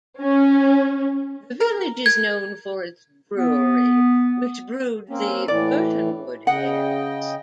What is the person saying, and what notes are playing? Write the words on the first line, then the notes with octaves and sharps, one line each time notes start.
The village is known for its brewery, which brewed the Burtonwood ales.
C#4
A#4
G#6
B3
A#3 C4 C#4
A2 E3 D5
C#3 D#5 F#5 G5